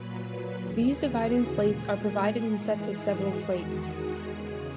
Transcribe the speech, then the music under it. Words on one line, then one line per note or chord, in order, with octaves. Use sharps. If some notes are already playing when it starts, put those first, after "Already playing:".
These dividing plates are provided in sets of several plates.
Already playing: A#2 F#3 B4
D#2 C#3 E3 G#4
F#4
A#2 G#3 G#4
G#2 E3 G#3 A#4
G#4
F#4
E2 D#3 G#3 F#4
G#4
E2 C#3 G#3 G#4